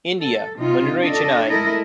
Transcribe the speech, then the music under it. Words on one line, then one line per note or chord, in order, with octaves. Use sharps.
India - Mannure, Chennai.
A4
C3 D#4 F4
D4 A4 D#5
G#3 A3 E4 A4 A#4 D#5